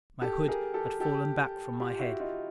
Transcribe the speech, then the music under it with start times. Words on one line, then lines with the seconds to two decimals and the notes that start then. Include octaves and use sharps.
My hood had fallen back from my head.
0.22 G4 A4
0.48 G#4 A#4
0.74 G4 A4
1.00 G4 A4
1.80 F4 G4
1.99 E4 F#4
2.20 D#4 F4